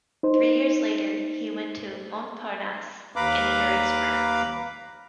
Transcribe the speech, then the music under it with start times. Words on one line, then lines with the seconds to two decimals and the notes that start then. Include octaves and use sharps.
Three years later he went to Montparnasse in Paris, France.
0.23 D#4 C5
3.16 D#2 B4 F5 A#5 B5 D6